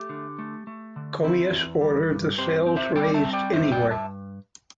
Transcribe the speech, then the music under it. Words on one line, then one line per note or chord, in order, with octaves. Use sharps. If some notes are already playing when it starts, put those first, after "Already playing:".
Commius ordered the sails raised anyway.
Already playing: A3 G4
D3
A3
A3
D3
C4 E4
E2
G3
G2
C4 G4 C5
C4
C5 E5
G3 D5 G5
E5 A5
C4
D5 G5
G2 C5 E5
D5 G5
G2
E5 A5